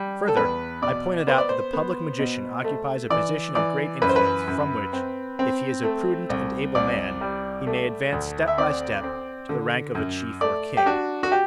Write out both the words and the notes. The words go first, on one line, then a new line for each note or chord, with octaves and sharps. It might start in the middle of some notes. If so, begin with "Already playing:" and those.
Further, I pointed out that the public magician occupies a position of great influence, from which, if he is a prudent and able man, he may advance step by step to the rank of a chief or king.
Already playing: G3
A4
E2 B4
B2 D5
B3 C5
D5
C5
B3
B2
A3
E3 D5
E3 D5
F#2 B4
C5
B4
F#2
C4
C4
A3
C2
C2 D5
G3
A3
D2
E5
C4 D5
C4
D3
F#2
A3 D5
G4
D4 F#4
F#4
G4